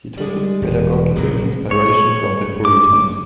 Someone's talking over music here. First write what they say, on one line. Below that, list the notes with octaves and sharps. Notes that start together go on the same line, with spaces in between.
He took his pedagogical inspiration from the Puritans.
G3 G#3
E1
A#1 C3 F#3 B3 A#4
C#5
D6